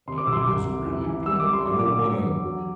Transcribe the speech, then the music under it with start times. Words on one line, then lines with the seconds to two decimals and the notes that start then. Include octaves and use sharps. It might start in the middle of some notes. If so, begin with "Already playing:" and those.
uh, it is really good. I don't wanna
0.07 C3 C6
0.18 D6
0.27 C2 E6
0.33 C6
0.37 D6
0.47 C2
0.68 C3
0.87 E3
1.07 E3
1.26 G3 E6
1.40 D6
1.46 G3
1.53 C6
1.66 F#3 D6
1.79 D6
1.86 D3
1.92 D6
2.05 F#3
2.26 E2
2.45 F#3